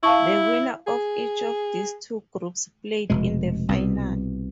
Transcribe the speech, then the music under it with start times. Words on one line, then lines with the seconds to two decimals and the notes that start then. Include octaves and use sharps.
The winner of each of these two groups played in the final.
0.03 E4 F5 A5 C#6
0.87 G#4
3.10 F1 B2 G#3
3.69 C2 B2